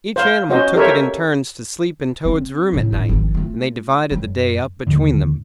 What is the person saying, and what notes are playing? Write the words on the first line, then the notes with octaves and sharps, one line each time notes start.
Each animal took it in turns to sleep in Toad's room at night, and they divided the day up between them.
C5 F5
C#4 F#4 C5 D#5
G4 A4 A#4 C5 C#5 E5
C4
A2 C#3
A2 D4
G#1 F2
A3 F4
F#2
D#2 G#2 D3